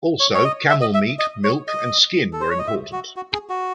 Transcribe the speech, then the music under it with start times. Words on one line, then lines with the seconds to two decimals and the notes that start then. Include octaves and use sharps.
Also camel meat, milk, and skin were important.
0.20 C#5
0.35 C#5
0.45 D#5
0.70 E5
0.81 D#5
0.94 E5
1.19 D#5
1.44 C#5
1.68 D#5
2.33 A4
2.41 C5
2.50 C#5
2.59 D#5
2.67 E5
2.92 F#4
3.16 F#4
3.33 G#4
3.49 F#4